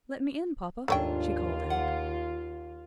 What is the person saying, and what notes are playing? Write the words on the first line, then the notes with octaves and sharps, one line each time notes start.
"Let me in, papa," she called out.
D#2 G#2 A3 C#4 D4 F4 G5
F#5